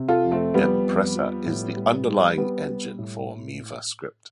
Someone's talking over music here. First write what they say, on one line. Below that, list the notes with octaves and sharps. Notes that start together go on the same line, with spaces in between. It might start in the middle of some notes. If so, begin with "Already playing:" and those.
Empresa is the underlying engine for Miva Script.
Already playing: C3
F4 A4
F2
A3 C4
F3 G3 B3
F2
F3
A2
G3
G3
G3 B3
G3
A2